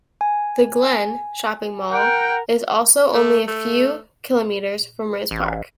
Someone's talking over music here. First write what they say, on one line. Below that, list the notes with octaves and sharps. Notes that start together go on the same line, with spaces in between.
"The Glen" Shopping Mall is also only a few Km from Rispark.
G#5
A#4 F#5 G5
A3
A3
A1